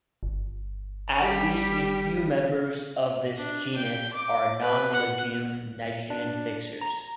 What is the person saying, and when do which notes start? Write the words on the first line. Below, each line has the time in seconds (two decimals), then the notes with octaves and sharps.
At least a few members of this genus are non-legume nitrogen fixers.
0.23 G1
1.22 G3 G4
3.37 D4
3.76 G5
4.13 D6
4.61 B4
4.93 F#5
6.10 D4
6.81 A#5